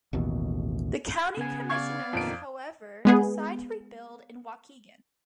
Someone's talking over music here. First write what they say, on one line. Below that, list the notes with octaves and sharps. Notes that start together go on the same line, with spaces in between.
The county commissioners, however, decided to rebuild in Waukegan.
A1 D#2 B2
C#3 B3 G#5
D5 F5 C#6 G#6
F2 A#2 D3 D#3 D7
G#3 B3 G#4